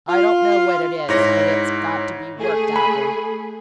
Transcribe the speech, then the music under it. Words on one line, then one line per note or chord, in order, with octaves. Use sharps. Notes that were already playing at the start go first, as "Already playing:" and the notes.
I don't know what it is, but it's got to be worked out of him.
F4
G#2 E4 C#5 A#6
A3 G#4
B5